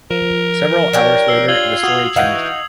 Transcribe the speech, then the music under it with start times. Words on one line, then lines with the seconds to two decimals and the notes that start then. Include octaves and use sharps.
Several hours later the story changed.
0.11 F3 A#4
0.93 D4 G4 C#5
1.28 E6 C7
1.48 F4 E6 G#6 F#7
1.83 F#4 D#6 G#6 F7
2.16 E3 D#4 F#4 F5 F#5 G6